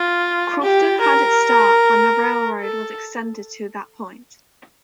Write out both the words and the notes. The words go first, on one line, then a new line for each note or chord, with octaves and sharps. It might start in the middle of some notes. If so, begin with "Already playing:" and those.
Crofton had its start when the railroad was extended to that point.
Already playing: F4
G4
A#4
A4